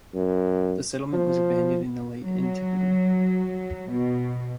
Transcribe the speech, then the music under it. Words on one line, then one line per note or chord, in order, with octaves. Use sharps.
The settlement was abandoned in the Late antiquity.
F#2
F3
F#3
B2